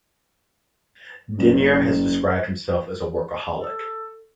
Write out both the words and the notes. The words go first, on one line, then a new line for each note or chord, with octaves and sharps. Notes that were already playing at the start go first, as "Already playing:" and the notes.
Denyer has described himself as a "Workaholic".
F#1
A4